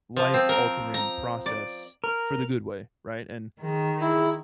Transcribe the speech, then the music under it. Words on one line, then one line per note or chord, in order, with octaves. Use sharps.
life-altering process for the good way. Right, and
F3
C4
A#4
A#5
D5
A#4
D#3 G#4
E4 G#4